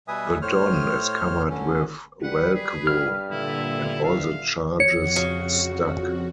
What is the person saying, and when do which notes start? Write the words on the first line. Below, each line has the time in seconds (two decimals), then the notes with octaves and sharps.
The don is covered with Velcro, and all the charges stuck.
0.08 B2 G3 B4 E5 G#5 D#6
0.42 A2 C5 C#5 F6
1.50 D2 D3 C#4
2.23 G3 B4 F#5
2.55 G#4
2.87 G2 F6
3.31 A#2 D3 E4 E5
4.04 F5
4.80 F2 F#4 C#5 C#7
5.16 C#3